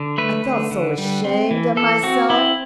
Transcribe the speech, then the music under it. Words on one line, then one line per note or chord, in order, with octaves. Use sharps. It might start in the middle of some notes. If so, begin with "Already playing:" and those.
I felt so ashamed of myself.
Already playing: D3
A3 B4
D3
D3
G3
C4
E3
E3 A4
C4 F#4
C4 E4